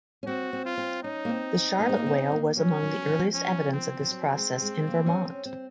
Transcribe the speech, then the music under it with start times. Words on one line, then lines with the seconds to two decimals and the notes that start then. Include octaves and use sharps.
The Charlotte whale was among the earliest evidence of this process in Vermont.
0.23 C#4
0.27 C4 F#4
0.53 C4
0.65 F4
0.77 C4
1.03 C#4 D#4
1.25 A#3
1.29 C4
1.54 C4
1.80 A#3
1.89 G#3
1.97 A#3
2.07 C4
2.32 A#3
2.57 F#3 C#4
2.83 F#3
3.08 F3
3.34 C#4
3.73 C4
3.99 F3
4.11 F#3
4.36 G#3
4.62 G#3
4.87 A#3
5.07 C#4
5.26 C#4
5.45 C4